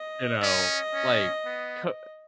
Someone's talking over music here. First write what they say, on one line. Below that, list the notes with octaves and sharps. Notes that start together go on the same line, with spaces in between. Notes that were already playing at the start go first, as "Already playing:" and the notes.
you know, like, k
Already playing: D#5
C#4
C#4
B3